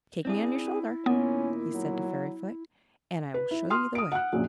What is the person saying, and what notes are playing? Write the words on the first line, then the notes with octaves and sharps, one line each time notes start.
"Take me on your shoulder," he said to Fairyfoot, "and I will show you the way."
C4 D4 E4 G#4
A#2 D#3 B3 C#4
F#3
B4
E4
C6 D#6 F6
D#6 D7
F#5 F#6
A#1 F#2 A#2 F#3